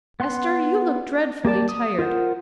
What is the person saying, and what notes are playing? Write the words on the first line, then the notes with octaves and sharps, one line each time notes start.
Ester, you look dreadfully tired.
B3 F#5 C6
A#3 G4 D5 A5
D#6
F4 A#4 C5 F#5